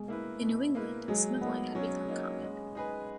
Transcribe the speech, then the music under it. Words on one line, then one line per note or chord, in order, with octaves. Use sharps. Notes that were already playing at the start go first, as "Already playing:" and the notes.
In New England, smuggling had become common.
Already playing: B2 G#3
A#3 E4 B4
B2
A#3 E4 B4
F#3 G#3
A#3 B3 D#4
F#3 C#4
A#3 D#4
G#3
D#4 G#4 B4